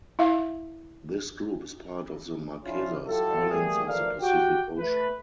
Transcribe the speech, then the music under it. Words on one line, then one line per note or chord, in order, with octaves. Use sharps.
This group is part of the Marquesas Islands of the Pacific Ocean.
E4 E5 F5
C#3 F3 C#4 D4 E4 F4
F#3 E4 F4 G4 A4
G3 A3 A#3 G4 G#4
B1 F3 A3 A#4 D5 F5
F#4 G4 G5
A3 B4